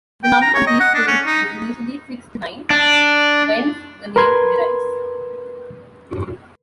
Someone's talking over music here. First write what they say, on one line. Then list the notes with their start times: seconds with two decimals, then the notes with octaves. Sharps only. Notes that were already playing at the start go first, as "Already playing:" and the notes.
The number of these schools was initially fixed to nine, whence the name derives.
0.24 G5
0.42 A#5
0.55 C#5
0.67 D#5
0.80 F#5
0.94 D4
1.07 C#4
1.26 D#4
2.70 D4
4.16 A#4 B4 C6 G#6